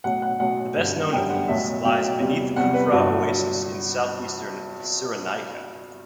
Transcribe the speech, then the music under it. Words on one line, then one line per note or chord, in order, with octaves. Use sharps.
The best known of these lies beneath Kufra Oasis in southeastern Cyrenaica.
B1 A2 F#3 F#5
F#5
B1 A2 F#3 F#5
G1 F#2 D3 G3
G1 F#2 D3 G3 G5
F#5
B1 A2 F#3 E5
B1 A2 F#3 G5
E2 C3 G3
E2 C3 G3 F#5
B4
G1 G2 F#3 F#4